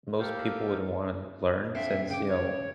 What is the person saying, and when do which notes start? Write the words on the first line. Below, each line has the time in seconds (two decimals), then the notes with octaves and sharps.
most people would wanna learn since, you know,
0.20 A#3 G4 A4 F5 G5
1.75 A#1 F2 C4 E5
2.10 C#3 G5 D6
2.28 C#5